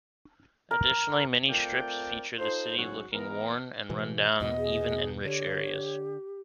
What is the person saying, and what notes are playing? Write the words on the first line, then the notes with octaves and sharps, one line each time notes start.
Additionally many strips feature the city looking worn and run-down even in "rich" areas.
A#4
A3 C4 F4 A#4 D5 G5
D#4 F4 A4 C5
G#2 C#3 F#3 F#4 G#4
E3 B3 A#4
B2 E3 G#3
E2 B2 B3 D#5
G#4
D3 G4 C#5